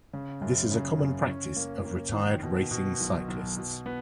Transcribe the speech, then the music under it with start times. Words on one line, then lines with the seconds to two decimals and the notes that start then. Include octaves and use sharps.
This is a common practice of retired racing cyclists.
0.13 C#3
0.42 F#2
0.71 C#3
0.99 F#2
1.29 C#4
1.56 A#3
1.85 A#3
2.14 D#3
2.43 B2
2.71 B2
3.01 B1
3.28 B1
3.57 B2
3.86 B3